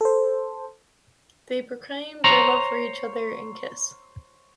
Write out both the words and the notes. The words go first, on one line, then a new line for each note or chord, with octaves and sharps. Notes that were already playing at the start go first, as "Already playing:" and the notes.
They proclaim their love for each other and kiss.
A4 C5
C5 C#5 A#5